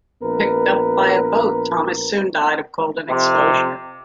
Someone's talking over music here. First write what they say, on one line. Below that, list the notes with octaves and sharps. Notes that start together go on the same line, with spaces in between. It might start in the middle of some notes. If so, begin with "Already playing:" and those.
Picked up by a boat, Thomas soon died of cold and exposure.
A#1 B3 A#4 B4
F2 C3